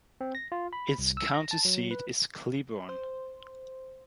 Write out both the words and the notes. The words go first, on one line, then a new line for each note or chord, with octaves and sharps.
Its county seat is Cleburne.
C4
A#6
F4
B5
C2
E6
A#6
A5
F#3
B4
C5